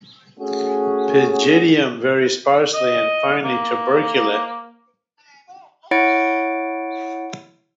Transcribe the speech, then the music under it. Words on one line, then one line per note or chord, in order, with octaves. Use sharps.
Pygidium very sparsely and finely tuberculate.
A3 C#4 F#4 G#4
D#5
A#3
E4 C#5 F#5 A6 D7